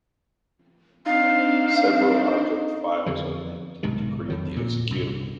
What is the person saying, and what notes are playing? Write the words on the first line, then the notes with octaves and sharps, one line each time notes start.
Several object files are linked to create the executable.
C4 D4 D#4 C5 F5
F2 D3 F3
B1 G#2 C3 D#3
F2 D#3 F#3
D2 A#2
C2 G2